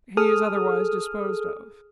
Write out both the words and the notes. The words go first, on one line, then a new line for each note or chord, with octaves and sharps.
He is otherwise disposed of.'
G#4 A4 D#6 F6